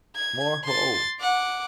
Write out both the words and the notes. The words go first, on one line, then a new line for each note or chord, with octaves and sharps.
Mor ho!
G#6
C6 A6
F#5 D6